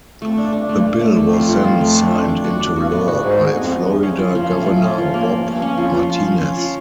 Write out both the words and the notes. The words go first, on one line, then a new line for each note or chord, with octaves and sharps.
The bill was then signed into law by Florida Governor Bob Martinez.
F2 A3
F2 D4
G2 D4
G2 A3
F2 A3
F#2
A3
F2 A3
F3
F3
F3
A3
D4
D4
D4
F#4
F#2
F2 D4
G2 F#4
A2 B3
G#2
G2 F#4
G#2
G#3
G#3
F2 B3
B3
E2
B3
F2 C#4
F#2 F3
G2 F3
A2 C#4
F3
A2
C#4
G#2 F3
G2 A#3
G#2 A#3
G2 C#4
C#4
F2
F3
F3
F3
F3
C#4
F3